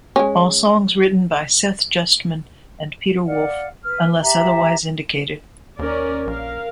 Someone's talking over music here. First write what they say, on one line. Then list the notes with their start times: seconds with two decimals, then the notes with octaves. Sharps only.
All songs written by Seth Justman and Peter Wolf unless otherwise indicated.
0.16 G#3 C#4
3.25 D5 F5 F#5
3.82 B4 F6
4.21 G4 E5 A5 A#5
5.79 D#2 C#4 A#4 D5
6.27 A#1 A#4 F5